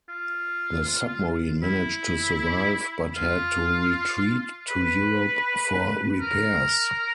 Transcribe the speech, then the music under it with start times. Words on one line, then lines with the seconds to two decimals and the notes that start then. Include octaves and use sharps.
The submarine managed to survive but had to retreat to Europe for repairs.
0.09 F4
1.62 E4
3.15 F4
4.68 B4
6.21 A#4